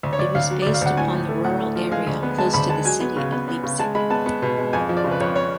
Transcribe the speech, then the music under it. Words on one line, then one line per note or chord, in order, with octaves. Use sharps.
It was based upon the rural area close to the city of Leipzig.
D2
C#5
D2 D5
D2 F5
F#3
D5
D2
F5
D2 F#5
A2 G#5
A2
A3
A2 F#5
A3
F3
G#3 F5
D2
B3
G#3 A5
D2 B5
G#3 A5
F#3 G#5
B3
C#3
B3
B3
C#3
G#3 A5
G#3 B5
B3 A5
B3
B2
G#3
F2 G#5
F3
D5
C#3
B4
F2 C#5
C#5